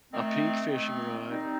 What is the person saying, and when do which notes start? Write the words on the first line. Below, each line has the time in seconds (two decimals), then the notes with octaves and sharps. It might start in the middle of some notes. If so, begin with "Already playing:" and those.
a pink fishing rod."
0.13 D#3 A3 C4
0.70 D#3 A3 C4
1.28 D#3 G3 C4 D#4